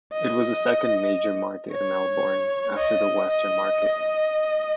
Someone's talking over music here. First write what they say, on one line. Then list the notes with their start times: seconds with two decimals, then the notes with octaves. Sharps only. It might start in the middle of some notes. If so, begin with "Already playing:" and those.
It was the second major market in Melbourne, after the Western Market.
0.13 D#5
1.72 C#5
2.78 D#5
3.31 D#5
3.84 D#5